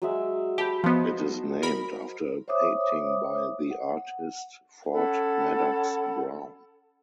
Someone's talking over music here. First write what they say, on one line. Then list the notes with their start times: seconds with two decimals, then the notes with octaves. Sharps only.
It is named after a painting by the artist Ford Madox Brown.
0.02 F#3 G#3 E5
0.58 G4 A5 B5
0.84 F3 B3 C5 D#5
1.63 A#4 B5
2.48 C5 C#5 E5 D6 D#6
3.71 F#5
4.93 C#4 A4 F#5 B5